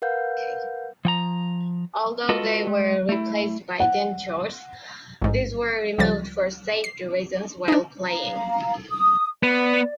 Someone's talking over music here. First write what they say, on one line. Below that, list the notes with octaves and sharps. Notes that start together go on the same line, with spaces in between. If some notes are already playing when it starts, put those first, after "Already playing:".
Although they were replaced by dentures, these were removed for safety reasons while playing.
A#4 B4 F5 F#5 G6
F3 G5 A#5
G#3 F4 F#4 A4 B4 D#5
G#3
A3 E4
F#5
A1 G#2
C#2 F3 G3 A6
C7
D4 D#4
F5 A#5
D#6
B3 D5